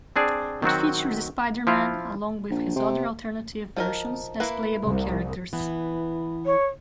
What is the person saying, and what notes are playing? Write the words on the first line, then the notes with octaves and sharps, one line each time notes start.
It features Spider-Man, along with his other alternative versions, as playable characters.
C4 D4 G#4 D5
D#3 F#3 C4 F#4
F3 E4 F4
A#1
C3
F3 D#4 A#4
A#3 E4 B4
C2
E3 B3
C#5